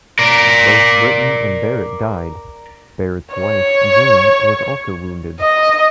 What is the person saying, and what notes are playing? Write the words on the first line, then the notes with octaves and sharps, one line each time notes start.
Both Britton and Barrett died; Barrett's wife, June, was also wounded.
A#4 D5
C#5
D#5